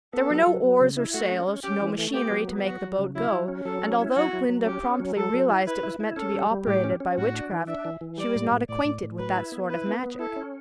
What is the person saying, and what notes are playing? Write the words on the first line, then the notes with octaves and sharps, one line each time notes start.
There were no oars or sails, no machinery to make the boat go, and although Glinda promptly realized it was meant to be operated by witchcraft, she was not acquainted with that sort of magic.
B3 A4
F#3
F#3
F#3
C#3
E4
A3 F#4
C#4
C#4
C#4 G4
E3
A3
B3 G4
F#3
B3
F#3 F#4
F#3
C#3
F#3 E4
F#3
C#4
F#3 A4
C#4
E4
F#3 F#4
F#3
F#3
C#4 G4
C#4
F#3
F#3 A4
F#3
E4
E4 B4
E4
E4
C#4 A4
G3
G3
A2 G4
C#4
C#4
A2 F#4
D4
E3
D4 E5
E3
E3
G3 D5
A2
A2
A2 D5
A2
A2
F#3 B4
E4
B3
E4 B4
B3
B3
E4 A4
C#4